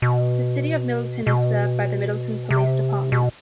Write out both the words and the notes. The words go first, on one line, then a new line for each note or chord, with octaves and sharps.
The city of Middleton is served by the Middleton Police Department.
B2
B2
C3
B2